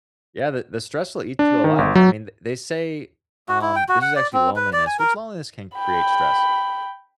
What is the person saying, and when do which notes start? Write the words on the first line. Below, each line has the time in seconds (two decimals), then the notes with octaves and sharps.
Yeah, the the stress will eat you alive. I mean, th they say, um, this is actually loneliness, which loneliness can create stress.
1.39 D4
1.64 D#3
1.78 G1
1.95 F#3
3.49 F#4
3.62 E4
3.76 G5
3.89 F#4
4.02 F#5
4.16 D5
4.33 C4
4.56 B4
4.73 D5
4.87 G#5
4.99 A#4
5.76 G5 B5